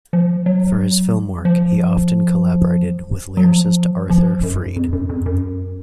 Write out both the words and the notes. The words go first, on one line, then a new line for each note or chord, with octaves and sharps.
For his film work, he often collaborated with lyricist Arthur Freed.
F3
F#3
F3
F#3
F3
F3
F#2
F2
F#2
F2
F#2